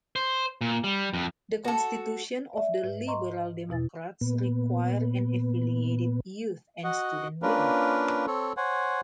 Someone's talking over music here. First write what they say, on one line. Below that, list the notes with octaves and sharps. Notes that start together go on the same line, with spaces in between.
The constitution of the Liberal Democrats requires an affiliated youth and student wing.
C5
A#2
G3
F2
F#4 A4
D5 E5
G#2 B4
D#5 A#5 C6 C#6
E2 B2 E4 A6
A#2 B3
F#4 D#5 F#5
A#3 C#4 D4 F4 A#4 B4
C4 A4 C#5
C5 C#5 F#5 G#5